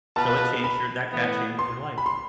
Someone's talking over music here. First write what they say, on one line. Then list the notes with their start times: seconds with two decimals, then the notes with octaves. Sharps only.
So it changed your That cat changed your life.
0.16 B2 B3 F4 B4 A5
0.64 B5
1.11 A2 E3 B3
1.59 C6
1.98 B5
2.06 C6